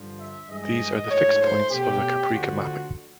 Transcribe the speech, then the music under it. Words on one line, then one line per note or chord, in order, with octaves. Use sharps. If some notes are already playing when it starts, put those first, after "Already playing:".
These are the fixed points of the Kaprekar mapping.
Already playing: G2 D3 F3
E5
G2 E3 G#3 D#5
G#2 F3 A3 C#5
C5
B2 F#3 A3 G4
D2 D3 F3 F#4